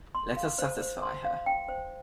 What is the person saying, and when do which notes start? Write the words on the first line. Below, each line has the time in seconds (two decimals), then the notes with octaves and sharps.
Let us satisfy her.
0.15 C6
0.37 F5
0.58 C5
0.81 C5
1.02 C6
1.25 F5
1.46 G5
1.69 C5